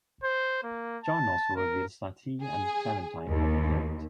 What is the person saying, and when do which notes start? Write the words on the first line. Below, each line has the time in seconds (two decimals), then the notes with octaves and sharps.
John also reveals that he and Clementine had eloped.
0.24 C5
0.64 A#3
1.04 A5
1.56 A#4
2.41 G#4
3.29 D#2